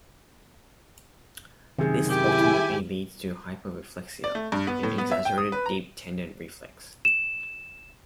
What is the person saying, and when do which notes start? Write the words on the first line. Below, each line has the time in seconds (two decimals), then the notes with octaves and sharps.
This ultimately leads to hyperreflexia, an exaggerated deep tendon reflex.
1.78 F#2 C3 D#3 G#4
2.09 E4 G4 G#5
4.24 D5
4.35 A3
4.52 G2
4.67 B3
4.83 A2
4.98 B3
5.12 E5
5.25 G5
5.38 D#6
5.52 B4
5.66 A#5
7.05 E7